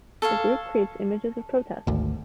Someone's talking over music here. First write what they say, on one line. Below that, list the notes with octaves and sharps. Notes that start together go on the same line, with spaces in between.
The group creates images of protest.
A4 C#5 F5
G#1 D2